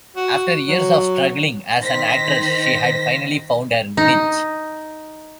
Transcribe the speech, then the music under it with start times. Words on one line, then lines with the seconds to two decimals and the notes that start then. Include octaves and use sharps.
After years of struggling as an actress, she had finally found her niche.
0.16 F#4
0.68 F#3
1.81 D#3 C5 A#6 B6
3.97 D#4